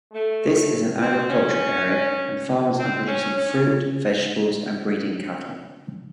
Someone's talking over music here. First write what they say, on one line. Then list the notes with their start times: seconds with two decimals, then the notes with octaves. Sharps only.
This is an agricultural area and farmers are producing fruit, vegetables and breeding cattle.
0.12 A3
1.00 C4
1.30 C#4
2.77 C4
3.06 C#4
3.36 C#4